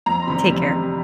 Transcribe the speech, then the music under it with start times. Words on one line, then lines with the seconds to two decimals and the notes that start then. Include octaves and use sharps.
Take care.
0.06 F2 A#5
0.22 C6
0.27 C3 E3 G3 B5
0.49 F2
0.70 C3 E3 G3